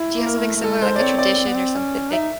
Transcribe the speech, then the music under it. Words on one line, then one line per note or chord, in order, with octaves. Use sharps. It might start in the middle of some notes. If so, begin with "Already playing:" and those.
do you have something similar, like, a tradition or something
Already playing: E4
A#3
A#4
A3
A3
G#3 A4
C5
D5
C4 C#5
D5
C4
B3
C4
C#4
D#4 E5